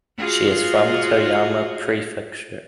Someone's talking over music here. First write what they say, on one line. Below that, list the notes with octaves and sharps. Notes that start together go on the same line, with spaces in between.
She is from Toyama Prefecture.
F4 F#4 G#4